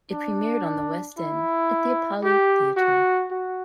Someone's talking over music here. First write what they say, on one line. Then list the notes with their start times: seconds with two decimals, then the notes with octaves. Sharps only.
It premiered on the West End at the Apollo Theatre.
0.11 D4
1.17 E4
2.24 G4
2.77 F#4
3.31 F#4